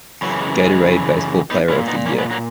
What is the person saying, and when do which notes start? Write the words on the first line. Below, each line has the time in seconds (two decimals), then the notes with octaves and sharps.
Gatorade Baseball Player of the Year.
0.22 F#2 C#3 E3 F#3
0.41 G#3
0.60 G#3
1.51 B3 D#4
1.69 A#2 C#4 E4
1.88 B3 D#4
2.06 A#3 C#4
2.19 G#3 B3
2.31 F#3 A#3